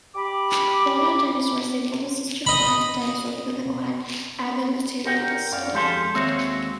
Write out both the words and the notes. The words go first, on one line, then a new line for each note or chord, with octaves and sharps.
While not dinosaurs, they form a sister clade to dinosaurs within the clade Avemetatarsalia.
G4 B5 D6
D#5 B5
G4 A#4 F#5 G5
F#2 F#3 D5 F5
F2 G#3 G4 A4 F5 C6
D#2 G#3 C4 F#4 C#5 E5